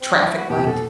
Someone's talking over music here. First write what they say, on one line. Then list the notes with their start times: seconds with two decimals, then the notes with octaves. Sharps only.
traffic light?
0.02 C4
0.13 D4
0.26 E4
0.38 F#4
0.50 B2 G4
0.57 C3
0.66 B2 A4